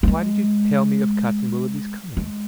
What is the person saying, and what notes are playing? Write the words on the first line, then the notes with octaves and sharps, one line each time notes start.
Why did you tell me of Captain Willoughby's coming?
F3
G#3
G#3